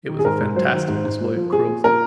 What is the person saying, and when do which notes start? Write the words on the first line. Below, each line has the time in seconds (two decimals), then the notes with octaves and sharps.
It was a fantastic display of cruelty.
0.09 D#3
0.19 G#4
0.25 G#2 A#4
0.41 G#2
0.56 F#3 C5
0.72 D#3
0.88 G#2
1.04 G#2
1.20 A#2
1.36 F3
1.52 F3 G#4
1.68 A#2
1.84 A#2 A#4